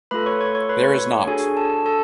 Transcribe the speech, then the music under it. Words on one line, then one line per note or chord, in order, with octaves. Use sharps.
There is not.
A3 F4 A4 B4 B5
C#5 C#6
C#5 C#6
C#5 C#6
B4 B5
C#5 C#6
C#5 C#6
D4 F#4 G#4 A4 G#5
A4 A5
A4 A5